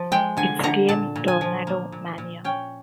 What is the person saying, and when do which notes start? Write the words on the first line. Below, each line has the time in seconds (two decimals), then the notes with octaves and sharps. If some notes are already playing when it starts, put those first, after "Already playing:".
Its game Tornado Mania!
Already playing: F3
0.12 G#3 G5
0.37 D3 G#5
0.63 D3 A#5
0.89 A#2 A5
1.16 A#2
1.28 G#5
1.41 F3
1.67 A#3
1.92 A#2
2.18 A#2
2.44 C#4 G5